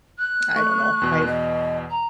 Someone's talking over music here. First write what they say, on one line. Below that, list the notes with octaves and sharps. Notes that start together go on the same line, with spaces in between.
I don't know. I
F#6
A3 C#6
E2 B2
D#5
A#5